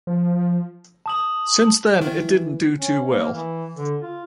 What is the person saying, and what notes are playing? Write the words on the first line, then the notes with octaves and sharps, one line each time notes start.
Since then it didn't do too well.
F3
A5 D#6 F#7
D#3 E3
C#4
A#3
E3
D3
F4